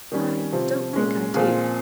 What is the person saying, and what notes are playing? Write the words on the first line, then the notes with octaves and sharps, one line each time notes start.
'I don't think I do.
D#3 G3 C#4
C3 F3 C4 G4
A#2 G#3 C#4
A#2 F3 C4 F4 G#4